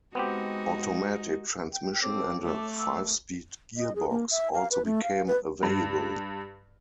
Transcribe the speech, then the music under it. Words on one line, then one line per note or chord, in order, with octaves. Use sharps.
Automatic transmission and a five-speed gearbox also became available.
G#3 B3 C4 D#4 F#4 G4
G5
C4 A4 C#5 D6
A3
D6 E6
D#5
G#4
A#3
E5
F5
B4
A3
F5
B4
G2